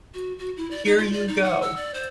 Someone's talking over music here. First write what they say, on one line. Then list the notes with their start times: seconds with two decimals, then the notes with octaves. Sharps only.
Here you go.
0.14 F#4
0.39 F#4
0.57 E4
0.71 D5
0.85 D#4
0.98 F4
1.13 D5
1.28 D#4
1.44 F#5
1.62 E6
1.76 D5
1.94 C5